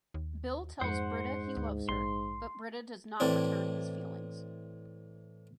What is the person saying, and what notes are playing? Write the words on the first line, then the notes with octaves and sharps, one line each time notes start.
Bill tells Brita he loves her, but Brita does not return his feelings.
D#2
F2 G#2 C5 F#5
D2
A#1 C6
A2 E3 C4 D4